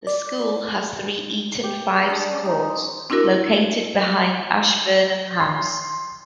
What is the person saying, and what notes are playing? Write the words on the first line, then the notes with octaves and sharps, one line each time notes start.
The school has three Eton Fives courts, located behind Ashburnham House.
D5
G4
G#4
D4
C#4
D#4
C6
C4 D4 E4 F#4 A#4
C6